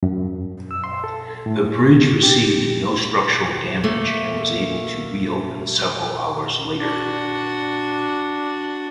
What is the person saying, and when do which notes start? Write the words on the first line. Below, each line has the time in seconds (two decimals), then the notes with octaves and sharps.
The bridge received no structural damage and was able to reopen several hours later.
0.03 F#2
0.71 E6
0.84 C6
1.04 A4
1.46 A2
2.23 G4
3.84 A3 A#3
6.79 D4 F#4